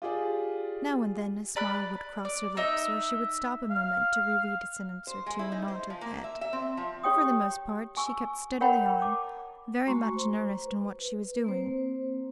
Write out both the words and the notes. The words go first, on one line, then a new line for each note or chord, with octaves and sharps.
Now and then a smile would cross her lips or she would stop a moment to reread a sentence or two and nod her head, but for the most part she kept steadily on, very much in earnest in what she was doing.
F4 G4 G#4 D5
D5 B5 F#6
D5
D#4 E5
F5
C5
G#3
E4
D#4
C5
F3
A#3
E5
E5
C4
F3
G4 C#5 G5 D#6
G#5 C#6 E6
A#4 C#5 F#5 G5 A#5 B5
A5 D6
G#3 A3 F#4 A#5 C6 C#6
C5
B4
A#3 C4 C5